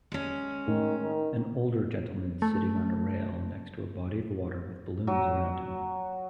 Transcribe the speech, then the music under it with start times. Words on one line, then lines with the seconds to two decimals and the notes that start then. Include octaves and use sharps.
An older gentleman sitting on a rail next to a body of water with balloons around him.
0.12 G#3 C#4
0.68 A2 D#3
1.03 D#3
2.42 A3
5.07 F#3